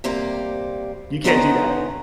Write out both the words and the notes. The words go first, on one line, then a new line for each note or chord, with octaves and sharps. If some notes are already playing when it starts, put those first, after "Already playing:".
You can't do that.
C3 G3 A#3 C5
D3 D#3 B3 C#4 C5 A#5